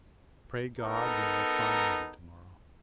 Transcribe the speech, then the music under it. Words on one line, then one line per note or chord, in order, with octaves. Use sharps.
Pray God we have fine weather to-morrow.
B3 D#4 A4 A#4